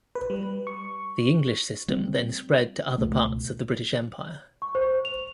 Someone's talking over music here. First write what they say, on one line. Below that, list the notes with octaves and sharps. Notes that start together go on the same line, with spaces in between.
The English system then spread to other parts of the British Empire.
B4
G3
C#6
G3 C4
C#2 B2 A3
C#6
C5
F7